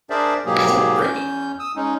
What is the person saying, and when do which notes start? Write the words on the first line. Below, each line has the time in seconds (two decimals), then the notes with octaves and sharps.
Oh, great.
0.10 D4 G#4 A#4 C5 D5 E5
0.46 G#2 B2 F#3 A#3 G4 G#4
1.01 E2 C#4 G6
1.59 D#6 E6
1.76 G#3 C#4 D#4